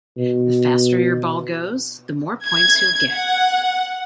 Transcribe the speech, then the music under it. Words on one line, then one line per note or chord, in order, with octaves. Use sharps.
The faster your ball goes, the more points you'll get.
B2
G#6
F#5